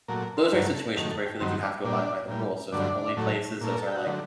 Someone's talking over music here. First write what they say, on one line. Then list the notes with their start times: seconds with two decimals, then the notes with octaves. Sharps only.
Those are situations where I feel like you have to abide by the rules. Those are holy places. Those are, like,
0.08 A#2 F#3 A3 A#4
0.23 A#4
0.37 C5
0.53 G2 F#3 A3 A#4
0.75 A4
0.96 F#2 D#3 A3 G4
1.11 A4
1.26 G4
1.40 G2 D#3 F#3 C4
1.63 D4
1.84 A#2 G3 D4
2.28 A#2 G3
2.72 G2 D3 F#3 A3 D4
3.17 A2 F#3 A3
3.61 A#2 A3
3.69 A#4
3.78 A4
3.87 G4
3.96 F#4
4.05 D3 F#3 A3 D#4